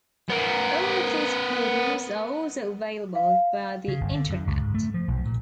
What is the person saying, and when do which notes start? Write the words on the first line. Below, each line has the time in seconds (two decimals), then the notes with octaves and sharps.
All of these programmes are also available via the internet.
0.29 B3 A#4
3.15 F5
3.88 C#3
4.01 G1
4.15 D3
4.30 F#2
4.47 C#2
4.61 G#2
4.74 A3
4.94 F3
5.08 B1
5.26 A#2